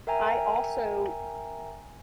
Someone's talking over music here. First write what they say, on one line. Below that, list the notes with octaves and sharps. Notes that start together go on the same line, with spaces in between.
I also
A#4 E5 G5 G#5 A#5